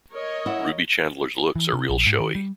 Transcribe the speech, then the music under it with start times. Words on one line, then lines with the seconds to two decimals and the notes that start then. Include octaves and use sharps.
Ruby Chandler’s looks are real showy.
0.11 A#4 C#5 D#5
0.46 E4 F#5
1.56 E3
1.73 C3
1.90 A#1
2.06 G#2
2.20 D#3
2.35 G3